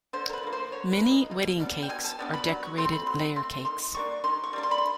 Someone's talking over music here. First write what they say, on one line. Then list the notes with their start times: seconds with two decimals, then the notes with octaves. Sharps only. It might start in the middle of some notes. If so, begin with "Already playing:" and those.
Many wedding cakes are decorated layer cakes.
0.13 D3 C5
0.30 A#4
0.33 B4
0.43 F3 A#3
0.53 C5
0.72 D3 C#5
0.92 B4
1.02 F3 A#3
1.12 D#5
1.31 B2
1.60 G3 B3 D4
1.82 G5
1.89 B2 G#5
2.04 A5
2.19 G3 B3 D4
2.34 B5
2.49 F#3
2.63 C#6
2.77 A3 C4 C6
2.92 B5
3.06 F#3 C6
3.36 A3 C4 C6
3.65 D#3 C6
3.95 G3 A#3 D4 C#6
4.24 D#3 C6
4.44 C#6
4.53 G3 A#3 D4
4.63 C6
4.71 B5
4.78 C6